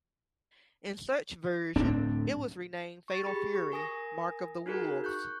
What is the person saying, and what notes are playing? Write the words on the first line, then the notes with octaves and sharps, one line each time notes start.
In such version, it was renamed "Fatal Fury: Mark of the Wolves".
D1 A2 C4 D4
C#6 A6
G4 G#4 B5
C#6
A#4 G#5 D#6 A#6
D#4 F4 F#4 G#4 A#4
C#6 F#6 G6